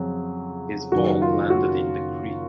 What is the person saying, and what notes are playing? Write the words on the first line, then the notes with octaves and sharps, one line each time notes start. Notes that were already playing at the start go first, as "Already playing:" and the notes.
His ball landed in the creek.
Already playing: F2 C#3 F#3 C4
F#1 F#2 D#3 F#3 F#4
F4
F#4